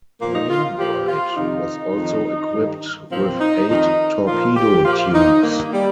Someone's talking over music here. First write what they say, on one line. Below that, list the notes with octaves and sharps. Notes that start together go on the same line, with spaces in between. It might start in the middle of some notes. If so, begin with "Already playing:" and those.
"Wainwright" was also equipped with eight torpedo tubes.
A#2 F3 A#3
D#4
F4
A#2 F3 G4
F4
F2 C3 D#3 D#4
F2 D#3
G2 D#3
A#2 F3 C4
D#4
F2 D#3 D#4
A#2 F3 F4
G4
A#2 F3 F4
G4
F4
D#4
G2 D#3 A#3
G3